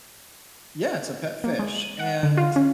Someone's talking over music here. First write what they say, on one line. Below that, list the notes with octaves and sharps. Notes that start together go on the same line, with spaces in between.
yeah, it's a pet fish, and
A#3
G#3
D#7
F#5
D3
F4
C#4